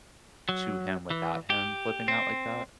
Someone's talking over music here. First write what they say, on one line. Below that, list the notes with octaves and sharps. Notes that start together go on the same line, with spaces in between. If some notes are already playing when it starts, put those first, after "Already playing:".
to him without him flipping out like that?
F#3
E3
G4
C4